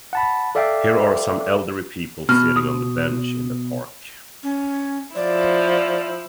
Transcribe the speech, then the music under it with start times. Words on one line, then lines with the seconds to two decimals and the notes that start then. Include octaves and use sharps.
Here are some elderly people sitting on the bench in the park.
0.13 F#5 A5 B5
0.55 A4 D5 E5 F5 G5 D6
2.29 B2 F6
2.56 D#6
4.43 C#4
5.16 F3 E4 D5